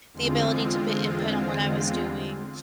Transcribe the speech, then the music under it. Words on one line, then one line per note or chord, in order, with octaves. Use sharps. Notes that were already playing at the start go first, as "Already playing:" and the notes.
the ability to put input on what I was doing.
E2 D3 G#3 C4 F4